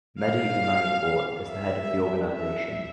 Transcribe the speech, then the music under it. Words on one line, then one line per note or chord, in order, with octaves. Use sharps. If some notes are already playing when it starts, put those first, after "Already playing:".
Mehdi Imanipour is the head of the organization.
F5
E5
E5